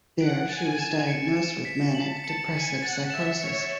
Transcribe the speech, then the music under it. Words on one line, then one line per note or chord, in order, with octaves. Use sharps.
There she was diagnosed with "manic depressive psychosis".
F#5 D7
G#5 A6
E7
C#7
E7
B6
A5 F#7
A5 C#7
G#5 C#7
F#5 A6
E5 E7
C#5 C#7